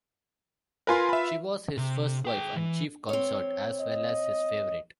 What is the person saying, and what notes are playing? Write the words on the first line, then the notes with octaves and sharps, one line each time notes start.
She was his first wife and chief consort as well as his favourite.
F4 A#4 B4 G#5 C6
E5 B5
C3
G#4 G5
E3
C4 C#5
D#5